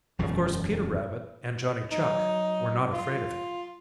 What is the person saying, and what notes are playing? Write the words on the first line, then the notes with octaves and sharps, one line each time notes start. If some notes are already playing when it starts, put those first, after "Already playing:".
Of course Peter Rabbit and Johnny Chuck were not afraid of him.
E1 F#2 F3
F#3 D#4
F4